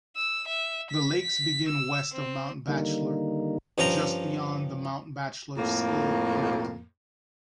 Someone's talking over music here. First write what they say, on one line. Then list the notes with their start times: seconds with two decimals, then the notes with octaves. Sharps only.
The lakes begin west of Mount Bachelor, just beyond the Mount Bachelor ski area.
0.16 E6
0.48 E5
0.91 B6
1.22 B6
1.69 E6
2.12 C4
2.68 D3 D#3 G3 A#3 D#4
3.78 G2 F3 C#4 G5 A#5
5.57 F2 A2 A#3